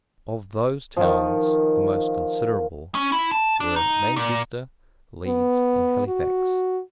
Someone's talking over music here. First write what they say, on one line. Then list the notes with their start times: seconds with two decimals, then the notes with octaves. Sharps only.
Of those towns the most considerable were Manchester, Leeds, and Halifax.
0.97 D#3 F3
2.95 C#4
3.12 E4
3.31 A5
3.60 D4
3.76 D#4
4.16 A#2
5.27 B3
6.08 F#4